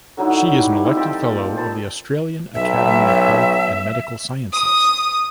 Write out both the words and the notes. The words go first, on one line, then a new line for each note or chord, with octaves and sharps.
She is an elected Fellow of the Australian Academy of Health and Medical Sciences.
D3 F#3 D#4 E4
G3
C4 E4 D#5
F3 C4 G5
A#2
C5 A5 B5
B1 F#3 E5
D#6